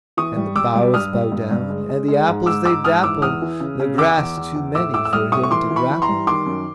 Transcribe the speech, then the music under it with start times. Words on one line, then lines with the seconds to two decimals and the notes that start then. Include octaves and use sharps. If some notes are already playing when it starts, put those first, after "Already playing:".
And the boughs bow down, and the apples they dapple The grass, too many for him to grapple.
0.17 E3 C#6 D#6
0.37 G3
0.56 G3 D6 E6
0.75 G3
0.94 G2 D#6 F6
1.13 G3
1.32 G2
1.51 G2
1.70 G#3
1.90 G#3
2.08 G#3
2.27 G#2
2.46 G#2 D6 E6
2.65 G#2 D6 E6
2.84 G#2 D#6 F6
3.03 E3 D6 E6
3.22 E2 D#6 F6
3.42 E3
3.60 C#3
3.80 C#3
3.98 E2 D6 E6
4.18 E2
4.37 E2
4.56 E2
4.75 A2 D6 E6
4.94 A2 D6 E6
5.05 E6
5.13 G3 D#6 F6
5.32 A2 C#6 D#6
5.43 C#6
5.51 E3 C6 D6
5.70 E3
5.76 B5 C#6
5.90 E3
6.02 A#5 C6
6.08 G3
6.27 D#3 C6 D6
6.46 F#2